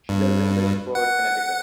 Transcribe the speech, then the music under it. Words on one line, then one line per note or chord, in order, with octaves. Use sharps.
She lives in Guilford, Connecticut.
G2
F#5